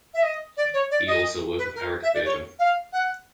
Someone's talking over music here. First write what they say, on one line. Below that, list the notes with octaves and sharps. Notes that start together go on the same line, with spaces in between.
He also worked with Eric Burdon.
E5
D#5
D5
C#5
D5
D#5
B4
A#4
E5
D5
C#5
F5
F#5